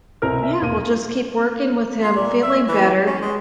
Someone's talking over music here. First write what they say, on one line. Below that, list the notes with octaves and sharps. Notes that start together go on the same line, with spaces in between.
Yeah, we'll just keep working with him feeling better,
C2 B2 E4 A#4 C5 F6
E5
E1 A#3 D#7
F4
A#2
E5
E3
C#4
G#3